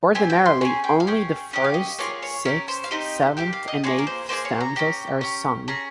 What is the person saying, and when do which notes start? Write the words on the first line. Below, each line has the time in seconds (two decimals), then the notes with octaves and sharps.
Ordinarily, only the first, sixth, seventh and eighth stanzas are sung.
0.15 C4 G4 G#5
0.30 G5
0.46 C6
0.61 C#4 G#4 G#5
0.84 G5
1.00 F5
1.07 C#4 G#4 G5
1.53 C#4 G4 D#5
1.64 F5
1.74 D#5
1.99 A#3 F4 G#4 C#5
2.23 C#5
2.45 C#4 G4 A#4
2.68 C5
2.84 F5
2.91 C4 D#4 G4 D#5
3.37 A#3 D#4 G4 G5
3.53 F5
3.68 D#5
3.84 A#3 F4 G#4 C#5
3.99 A#4
4.07 C5
4.29 A#3 D#4 G#4 C5
4.45 C#5
4.61 A#5
4.76 C#4 G4
5.21 C#4 G4
5.68 C#4 G#4 A#5